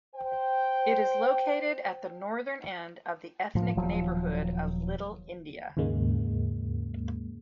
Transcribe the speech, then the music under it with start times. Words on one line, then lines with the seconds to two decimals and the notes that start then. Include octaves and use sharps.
It is located at the northern end of the ethnic neighbourhood of Little India.
0.15 C5 G5
3.55 A2 F3
3.77 D#1 F3 F#3
5.77 D#2 G#2 C#3 G#3 A#3